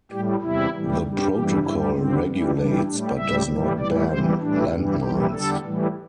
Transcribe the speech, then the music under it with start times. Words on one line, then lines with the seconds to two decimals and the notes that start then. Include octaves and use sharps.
The protocol regulates, but does not ban, land mines.
0.11 A2 G3 G4
0.42 E2 C3 G3 E4
0.73 A2 E3 G3
1.03 G2 G3
1.34 G2 E3 G3 G4
1.65 G2 G3 E4
1.95 G2 D3 G3 C4
2.26 E2 E3 G3
2.56 G2 E3 G3 D4
2.87 A2 G3 D4
3.17 A2 G3 E5
3.48 A2 E3 G3
3.78 A2 E3 G3 D5
4.09 E2 E3 G3 C5
4.40 A2 E3 G3 D4
4.71 G2 E3 G3
5.01 E2 C3 E3 G3 G4
5.31 E2 D3 G3 A4
5.62 A2 E3 G3